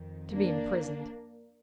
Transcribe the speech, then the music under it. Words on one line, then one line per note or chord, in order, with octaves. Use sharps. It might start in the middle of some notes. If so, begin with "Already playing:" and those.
To be imprisoned.
Already playing: F2 D#3
A#3 D4